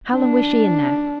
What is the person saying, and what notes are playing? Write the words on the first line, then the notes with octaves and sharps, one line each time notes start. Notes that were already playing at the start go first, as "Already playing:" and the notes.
"How long was she in there?"
D4